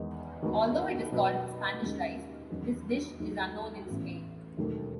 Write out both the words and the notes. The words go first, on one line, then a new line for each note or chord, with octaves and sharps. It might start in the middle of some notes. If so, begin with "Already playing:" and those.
Although it is called "Spanish rice", this dish is unknown in Spain.
Already playing: E2 D#3 G#3 D#4
D#2 D#3 G#3 B3 F#4
B2 F#3 B3
D#2 C#3 G#3
E2 D#3 F#3 C#4 F#4
D#2 D#3 F#3 A3
A1 A2 E3 B3 F#4
E1 D#2 D#3 F#3 A3